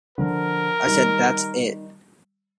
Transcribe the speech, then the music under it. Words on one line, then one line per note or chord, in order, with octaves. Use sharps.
I said, 'That's it.
D3 F3 A#4
D#3 G3